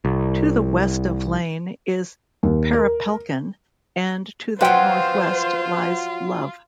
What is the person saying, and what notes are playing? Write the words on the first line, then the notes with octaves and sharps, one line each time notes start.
To the west of Lane is Perepelkin, and to the northwest lies Love.
C2
D#2
A#4
F3 F#3 F4 B4 C5 F#5 G5